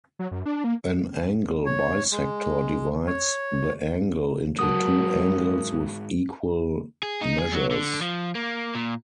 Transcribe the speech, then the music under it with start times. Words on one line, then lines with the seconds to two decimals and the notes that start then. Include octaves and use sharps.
An angle bisector divides the angle into two angles with equal measures.
0.19 F#3
0.31 F#2
0.46 D4
0.64 A#3
1.66 C#5
2.12 G#3
3.07 C#5
4.59 G#2 F#3 F#4 A#4 A5 D#6
7.03 G#4
7.21 D#4
7.38 G#4
7.52 F#3
7.71 D3
8.01 F3
8.35 A#3
8.75 A#2